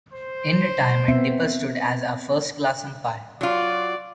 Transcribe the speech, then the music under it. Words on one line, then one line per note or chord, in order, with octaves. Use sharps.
In retirement, Dipper stood as a first-class umpire.
C5
B3 C4 E5
F#3 F4 D5